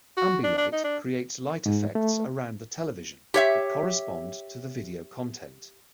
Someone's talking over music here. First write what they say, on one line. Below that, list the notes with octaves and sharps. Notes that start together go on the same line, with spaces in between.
Ambilight creates light effects around the television that correspond to the video content.
F#4
D4
D4
D#4
D4
G#2
A3
G4 C#5 E5